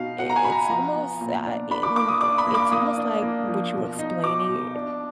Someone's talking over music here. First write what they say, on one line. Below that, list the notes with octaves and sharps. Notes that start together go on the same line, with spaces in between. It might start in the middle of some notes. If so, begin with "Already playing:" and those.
It's almost I I e when it's almost like what you were explaining
Already playing: B2 D#4 F5
B2 F#5
A#5
G#5
B2 B5
A#5
F3 A#5
B3
A#2
D4
D4 B5
D6
A#3 D6
D#6
D4 D6
B5
A#3
D6
A#3 D#6
D4
A#3
F3
B2
D#4
B2 D6
B2
D4